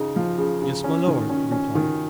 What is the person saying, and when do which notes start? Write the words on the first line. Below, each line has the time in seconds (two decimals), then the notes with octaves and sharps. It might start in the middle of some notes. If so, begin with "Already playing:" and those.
"Yes, my lord," he replied.
Already playing: C#3 D#4
0.16 F3
0.38 C#3
0.62 C#3
0.84 C#4
1.07 D#3
1.30 C#4
1.52 C#4
1.75 D#3